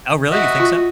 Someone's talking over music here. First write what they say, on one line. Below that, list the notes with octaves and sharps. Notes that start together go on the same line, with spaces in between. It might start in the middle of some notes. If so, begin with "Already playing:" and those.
Oh, really? You think so?
F#4 D#5 E5
F4